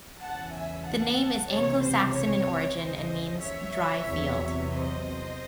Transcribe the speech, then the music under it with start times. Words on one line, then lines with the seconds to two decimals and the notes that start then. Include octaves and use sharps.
The name is Anglo-Saxon in origin and means 'dry field'.
0.20 E2 C#3 E3 F#5 A5
0.53 E5 G#5
0.85 F#5 A5
1.49 C#2 C3 E3 C#5
1.82 C5
2.13 C#5
2.77 D#2 C#3 E3 C5 D#5
3.41 C#5 E5
4.06 E2 C3 F#3
4.69 C5 D#5